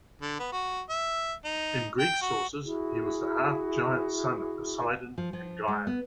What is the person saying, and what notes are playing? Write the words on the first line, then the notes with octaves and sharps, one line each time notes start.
In Greek sources, he was the half-giant son of Poseidon and Gaia.
D3
B3
F#4
E5
D#4
G5
F#4
E4 F#4 G#4
F3
F3
G#3
B3